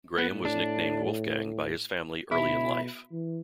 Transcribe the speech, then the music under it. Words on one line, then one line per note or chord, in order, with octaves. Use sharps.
Graham was nicknamed "Wolfgang" by his family early in life.
B3
A2
D4
B2 E4
E3